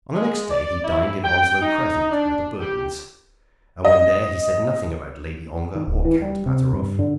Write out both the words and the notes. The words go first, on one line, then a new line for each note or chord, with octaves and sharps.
On the next day he dined in Onslow Crescent with the Burtons, and when there he said nothing about Lady Ongar or Count Pateroff.
G#3
D5
E4
G5
D#4
D4
G4
D#5
D#3
D1
E3
G3
C3
G2
D3